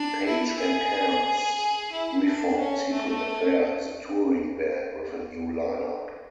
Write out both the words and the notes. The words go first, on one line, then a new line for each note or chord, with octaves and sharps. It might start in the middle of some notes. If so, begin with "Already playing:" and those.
Page and Cairns reformed Secret Affair as a touring band with a new line-up.
Already playing: D4
E4
G#4
G#4
E4
D4
C#4
A3